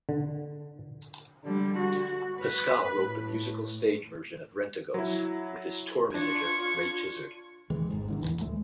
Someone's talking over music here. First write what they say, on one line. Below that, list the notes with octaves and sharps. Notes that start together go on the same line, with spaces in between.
Pasquale wrote the musical stage version of "Rentaghost" with his tour manager Ray Tizzard.
D3
D3 G3
F#4
B4
A2
F#3 E4
D4 F4 C#6 G#6
F2 D#3 E3 G#3
G#1 G#2
E2 D3 D#3
D1 A#1 E3
D2 G#3 A3